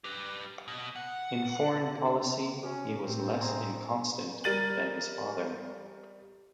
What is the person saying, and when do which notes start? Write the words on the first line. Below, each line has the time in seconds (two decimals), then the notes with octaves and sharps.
In foreign policy, he was less inconstant than his father.
0.04 G4 B4
0.68 B2
0.96 F#5
2.22 B3
2.63 C#4 F#4
3.02 A2 C4
3.40 G#4 C5 A#5 C6
4.44 G3 A#4 A6 D#7 F#7